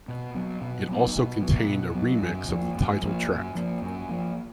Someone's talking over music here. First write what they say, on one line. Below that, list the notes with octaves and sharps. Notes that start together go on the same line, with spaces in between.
It also contained a remix of the title track.
B2
F#3 B3
B2
F#3 B3
B2
F#3 B3
B2
F#3 B3
F#2
F3 A#3
F#2
F3 A#3
F#2
F3 A#3
F#2
F3 A#3